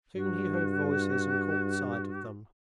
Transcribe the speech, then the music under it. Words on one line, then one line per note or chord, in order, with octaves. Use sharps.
Soon he heard voices and caught sight of them.
G2 F#4